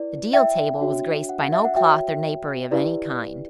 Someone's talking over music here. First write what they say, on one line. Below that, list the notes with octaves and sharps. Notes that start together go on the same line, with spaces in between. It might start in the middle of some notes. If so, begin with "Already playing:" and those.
The deal table was graced by no cloth or napery of any kind.
Already playing: E4 B4 D5
E5 G5
D4 F#4 C#5
F#5
F#5
E5
F#5
F#4 C#5 E5 G5
E4 G4 B4 D5